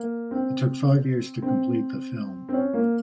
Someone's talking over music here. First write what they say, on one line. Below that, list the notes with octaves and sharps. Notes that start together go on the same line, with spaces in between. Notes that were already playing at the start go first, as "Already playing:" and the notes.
It took five years to complete the film.
Already playing: A#3
C4
C4
C4
C#4
A#3